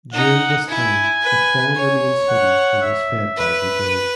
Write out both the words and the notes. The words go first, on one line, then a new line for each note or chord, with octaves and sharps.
During this time, the fawn remains hidden and is fed by the doe.
D#4 F#5
E4 G#5
B4
C#5
F#5
E5
B4